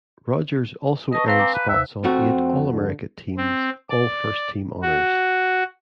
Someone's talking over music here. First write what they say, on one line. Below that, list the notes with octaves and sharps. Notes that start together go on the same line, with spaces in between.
Rogers also earned spots on eight All-America teams, all first-team honors.
B4 D#5 A5 C#6
C4 B4 F5 A#5
G#5 A#5 D6
B4
D#2 C3 E5
F2 A3 C4 F#4
D3
C4
D5
F#4